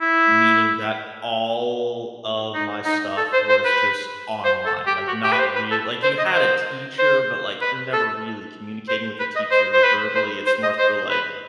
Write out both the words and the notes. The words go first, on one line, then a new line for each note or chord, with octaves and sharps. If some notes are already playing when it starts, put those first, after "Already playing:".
meaning that all of my stuff was just online. Like, not re like, you had a teacher, but, like, you're never really communicating with the teacher verbally, it's more so, like,
E4
D#4
D#4
A4
C5
C5
B4
C5
A4
G4
F#4
G4
B4
C5
B4
A4
C5
D#5
C5
C5
B4
A4
C5
B4
D#5
C5
C5
B4
C5
C5
D#5
C5
B4